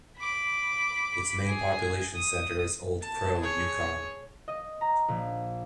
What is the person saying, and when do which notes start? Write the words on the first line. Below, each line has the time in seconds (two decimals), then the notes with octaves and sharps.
Its main population centre is Old Crow, Yukon.
0.18 B5 D6
1.47 G#4
2.15 D#6
3.02 A5
3.38 G#4 C#5
4.48 D#5
4.81 A#5
5.08 A#1